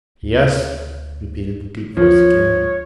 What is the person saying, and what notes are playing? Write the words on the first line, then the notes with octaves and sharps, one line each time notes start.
"Yes," repeated the deep voice again.
D2
D2 F3 C#5